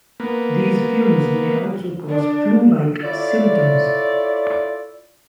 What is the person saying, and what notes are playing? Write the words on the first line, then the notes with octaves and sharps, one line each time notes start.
These fumes may also cause flu-like symptoms.
A#3 B3
D4
E4 F4 A4 C#5 D5